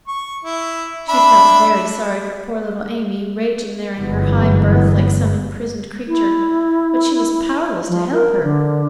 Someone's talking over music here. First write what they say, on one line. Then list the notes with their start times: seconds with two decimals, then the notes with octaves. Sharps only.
She felt very sorry for poor little Amy, raging there in her high berth like some imprisoned creature, but she was powerless to help her.
0.07 C#6
0.45 E4
1.09 D4 E5 B5
3.96 G1 F#2 E3 G#3 B3
6.07 E4
7.88 F3
8.12 A#4
8.43 D3